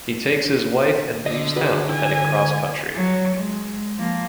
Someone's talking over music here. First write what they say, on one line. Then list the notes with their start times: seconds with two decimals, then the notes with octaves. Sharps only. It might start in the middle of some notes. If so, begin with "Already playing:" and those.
He takes his wife and leaves town, heading cross country.
1.26 D3 D#5
1.56 F#4 G#4 B4 D#5
1.89 E4 G#5
2.94 F#3
3.35 G#3
3.97 F3 A#3